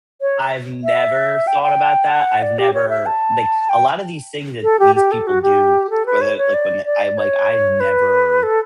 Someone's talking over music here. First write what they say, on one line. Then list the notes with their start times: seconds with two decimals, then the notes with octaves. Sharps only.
I've never thought about that. I've never, like, a lot of these things that these people do, whether, like when I'm, like, I've never
0.21 C#5
0.84 E5
1.47 G5
1.62 G5
2.11 F#5
2.42 D5
2.59 G4
2.74 C#5
2.89 E5
3.06 A5
3.69 G5
4.63 A4
4.79 G4
4.95 G4
5.12 A4
5.27 F#4
5.42 G4
5.90 A4
6.06 B4
6.21 C#5
6.38 C#5
6.54 D5
6.85 D5
7.17 C#5
7.80 B4
8.43 A4